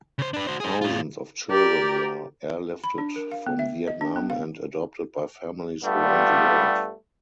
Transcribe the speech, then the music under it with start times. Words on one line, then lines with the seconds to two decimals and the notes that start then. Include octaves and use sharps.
Thousands of children were airlifted from Vietnam and adopted by families around the world.
0.19 C#3 C5
0.34 D4 B4
0.47 F#4 C5
0.60 G#4 C5
0.81 A2 F4
1.50 G4 A#4 D5
2.84 B5
2.98 D4
3.16 A#4
3.32 F5
3.47 B3
3.59 E5
3.87 D#5
4.01 D4
4.16 B3
4.30 F5
5.83 G2 G3 A3 B3 F4